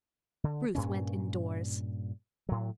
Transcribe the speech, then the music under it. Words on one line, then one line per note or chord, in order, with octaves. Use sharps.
Ruth went indoors.
D3
G2 A#2 C#4
A2 F#3